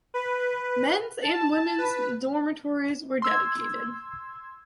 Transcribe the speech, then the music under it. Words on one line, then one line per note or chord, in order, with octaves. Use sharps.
Men's and women's dormitories were dedicated.
B4
A5
B4
C6 E6 G#6